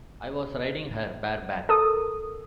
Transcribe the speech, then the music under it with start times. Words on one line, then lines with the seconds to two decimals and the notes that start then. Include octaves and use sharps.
I was riding her bareback...
1.69 A4 A#4 D#6